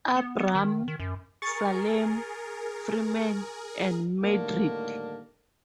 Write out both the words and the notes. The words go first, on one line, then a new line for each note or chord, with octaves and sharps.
Abram, Salem, Freeman, and Madrid.
B3
B3
D#3
D#3
F#2
G#4 A#4 C#6 A6
A2 D3 D#3 G3 A#3 A5